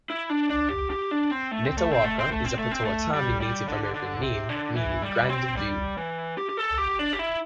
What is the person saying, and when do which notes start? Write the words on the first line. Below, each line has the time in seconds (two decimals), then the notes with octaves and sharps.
Netawaka is a Pottawatami Native American name meaning "grand view".
0.10 E4
0.30 D4
0.50 D4
0.70 G4
0.90 G4
1.11 D4
1.31 C4
1.51 A3
1.65 C4
1.78 A3
1.91 C4
2.04 A3
2.19 C4
2.32 A3
2.45 C4
2.58 A3
2.71 C4
2.85 A3
3.14 G3
3.40 G3
3.68 D3
3.95 D3
4.21 C3
4.49 D3
4.76 E3
5.02 G3
5.29 C4
5.57 G3
5.97 E3
6.38 G4
6.49 G4
6.57 A4
6.78 G4
6.99 D4
7.13 G4
7.19 E4